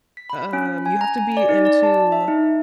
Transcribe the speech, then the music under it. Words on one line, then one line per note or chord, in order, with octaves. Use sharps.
um, you have to be into
B6
B5
C#4
G#5
A#5
G#5
D5
D#4
D5
A5
E5
D#4